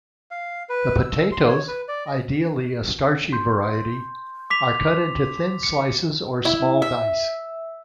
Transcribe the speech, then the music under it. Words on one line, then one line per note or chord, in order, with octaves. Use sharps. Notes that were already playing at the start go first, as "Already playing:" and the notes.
The potatoes, ideally a starchy variety, are cut into thin slices or small dice.
F5
B4
E6
C6
C#5
B4
D5
D#5
C6 G6
D6 B6 F7
C#7
E4
E5